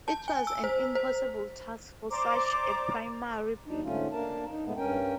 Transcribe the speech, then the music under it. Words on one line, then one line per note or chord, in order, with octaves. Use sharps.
It was an impossible task for such a primal being.
A5
G#5
E6
C5
C5
C5 D5 A#5 D6
D#2 D4 D#4
G#2 D3 A3 C#4 F4
A#3 D4 A#4 A5
D#4
A#2 G#3 A3 B3
G2 C#4 A#4 G5